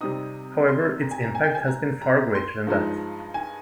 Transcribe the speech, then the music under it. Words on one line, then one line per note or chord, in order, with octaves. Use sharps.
However its impact has been far greater than that.
C3 G3 C4 D#4 D#6
C6
A#5
G#5
A#5
G#5
G5
G#5
A#5
A#5
C6
G2 F3 G#3 D#4
G#5